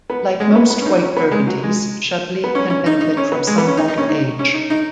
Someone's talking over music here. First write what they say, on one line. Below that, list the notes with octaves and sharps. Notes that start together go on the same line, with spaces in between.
Like most white Burgundies, Chablis can benefit from some bottle age.
B3
G#3
C#4
B3
B3
C#4
D#4
C#4
B3
G#3
F#3
G#3
B3
C#4
C#4
D#4
D#4
C#4
B3
G#3
B3
C#4
D#4
D#4
C#4
D#4
C#4
D#4
D#4